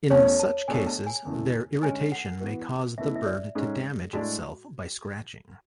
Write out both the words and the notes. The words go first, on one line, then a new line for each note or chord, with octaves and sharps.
In such cases, their irritation may cause the bird to damage itself by scratching.
E2 B2 A3 C#4 C#5
A5
B2 A3 D4 G#4 C#5 G#5
A5
G#5
E2 C#3 E3 A3
D3 G#3 C#4 G#5
F#5
E3 B3 F#4 B4
C#2 B2 A3 E4 B4 E5
E5
D5
G#2 G#3 C#4 G#4 A4
A2 G#3 D4 F#4 G#4 D5